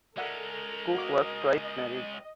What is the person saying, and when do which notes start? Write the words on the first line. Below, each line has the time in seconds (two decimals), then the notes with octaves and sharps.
Cook was twice married.
0.17 G#3 C#4 A4 A#4 D5 E5 F#5
0.94 F#4 D#5 F5 D6